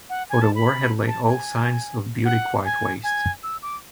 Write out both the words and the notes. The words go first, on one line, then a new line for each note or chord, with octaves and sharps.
For the war had laid all signs of beauty quite waste.
F#5
G#5
A5
B5
A5
G#5
F#5
G#5
G#5
E6
D6